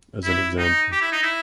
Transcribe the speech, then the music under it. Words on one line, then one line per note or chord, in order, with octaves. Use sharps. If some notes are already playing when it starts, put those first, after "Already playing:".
As an example.
E4
D#4
G4
E4
D#4
E4